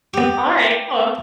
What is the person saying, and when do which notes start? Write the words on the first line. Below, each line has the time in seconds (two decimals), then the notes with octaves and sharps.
alright, cool.
0.14 B3 G4 C#6